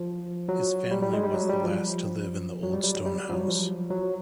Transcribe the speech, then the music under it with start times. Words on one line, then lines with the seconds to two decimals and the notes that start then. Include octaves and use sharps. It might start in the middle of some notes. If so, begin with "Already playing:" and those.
His family was the last to live in the Old Stone House.
Already playing: F3
0.49 F#3
0.91 G3
1.03 G3
1.13 G#3
1.23 G3
1.34 F#3
1.49 G3
1.63 F3
2.63 F#3
2.73 G3
2.83 G3
2.95 F#3
3.05 G3
3.20 G3
3.29 F3
3.34 F#3
3.48 F3
3.90 F#3